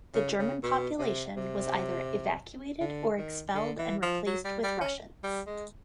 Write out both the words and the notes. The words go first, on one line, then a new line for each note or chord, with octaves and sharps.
The German population was either evacuated or expelled and replaced with Russians.
C#3
C#3
B2
C3
C3
D3
D#3
D3
E3
F3
F#3
G3
G3
C#4
G3
G#3